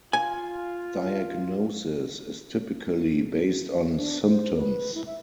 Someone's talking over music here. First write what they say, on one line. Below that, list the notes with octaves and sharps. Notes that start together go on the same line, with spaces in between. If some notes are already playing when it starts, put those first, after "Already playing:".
Diagnosis is typically based on symptoms.
F4 G#5
D4
C5
B4
E4
E5